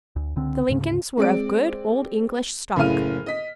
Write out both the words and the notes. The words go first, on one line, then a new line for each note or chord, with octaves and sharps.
The Lincolns were of good old English stock.
D2
C#2 D3 C4
D2 G#2 C#3
G#3 C4 D5 D7
F#1 A2 C#3 F5 F6 D#7
D#5 B6